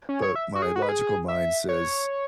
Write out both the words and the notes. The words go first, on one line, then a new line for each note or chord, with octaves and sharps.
But my logical mind says,
C#4
C#5
E5
F#4
G#4
F#4
B4
G#4
E5
C#5